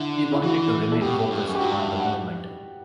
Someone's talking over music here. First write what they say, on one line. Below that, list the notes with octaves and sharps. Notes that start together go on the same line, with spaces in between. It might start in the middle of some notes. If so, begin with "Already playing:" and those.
He wanted to remain focused on the movement.
Already playing: D3 E4
E4
E3 F#4
A4
B2 G4
A2
G2
F#2
G4
G2 F#4
E5
F#5